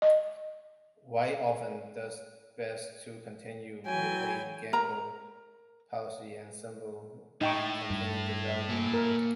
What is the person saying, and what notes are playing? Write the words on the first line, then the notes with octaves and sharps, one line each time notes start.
White often does best to continue with a gambit policy and simply continue developing.
D#5
E3 F#3 G5 G#5
A#4 A#5
A2 D#4 G5 C#6
G2
A#3 G#5
A#4